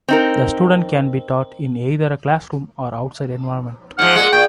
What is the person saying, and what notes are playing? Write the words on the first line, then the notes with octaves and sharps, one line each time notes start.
The student can be taught in either a classroom or outside environment.
C4 D#4 A#4
G#2 F3 F#5 F6
A#2 G#3 F#5
A#2 G5